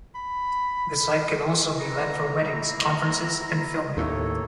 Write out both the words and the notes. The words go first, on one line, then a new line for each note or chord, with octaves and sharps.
The site can also be let for weddings, conferences, and filming.
B5
B4 A#5
E4
D#2 A2 A#3 A4 C#5